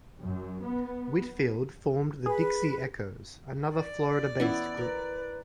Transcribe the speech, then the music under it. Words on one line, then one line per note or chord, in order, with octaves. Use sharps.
Whitfield formed the Dixie Echoes, another Florida-based group.
F#2
B3
G#4 B4
D5
E3 B3 C#4 E4
A#4 B4